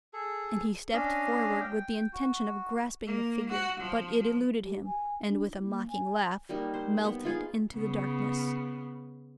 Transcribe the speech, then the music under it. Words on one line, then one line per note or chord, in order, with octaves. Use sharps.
And he stepped forward with the intention of grasping the figure, but it eluded him, and, with a mocking laugh, melted into the darkness.
G#4 A4
C#4 D4 D#5 F5
G5
F#4
A#3
F#4
F3
G4
G#5
D4
E4
A#3
G#5
G3 A#3 D#4
C5
B3
D#4 F4 G#4
C#3 B3